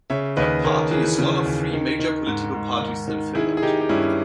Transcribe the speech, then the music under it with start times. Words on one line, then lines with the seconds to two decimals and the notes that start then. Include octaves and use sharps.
The party is one of three major political parties in Finland.
0.10 C#3 C#5 E5
0.37 D#2 B4 D#5
0.64 D#2 A#4 C#5
0.91 E3 G#4 B4
1.18 C#3
1.46 D#2
1.72 D#3
1.99 D#3
2.26 G#2
2.54 G#2
2.81 D#3
3.08 D#3
3.35 D#3 E4 G#4
3.57 G#4
3.62 D#3 D#4 G4
3.81 G4
3.89 G2 C#4 E4